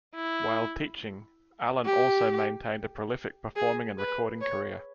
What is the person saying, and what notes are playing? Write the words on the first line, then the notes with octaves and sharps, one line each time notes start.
While teaching, Alan also maintained a prolific performing and recording career.
E4
G4
G#4
B4
C#5